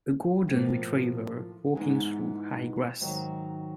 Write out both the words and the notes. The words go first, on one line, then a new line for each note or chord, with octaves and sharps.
A golden retriever walking through high grass.
A2 F3 A#3
G#2 E3 G#3 B3 D#4
G#2 D#3 F#3